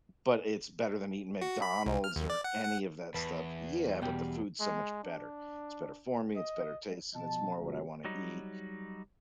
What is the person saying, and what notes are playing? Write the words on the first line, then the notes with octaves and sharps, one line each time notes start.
but it's better than eating McDonald's or any of that stuff yeah, but the food's so much better. It's better for me, it's better taste, and it's more what I wanna eat.
F#4
B5
C2
F6
D#2
D5
F#5
F#5
E2 B4 A5
B2 G3 G5
G#3
D4
D#5
B2 F3 D#5 A5
C#2 F#2 A3 F4 F#4
F#3 G3 D#4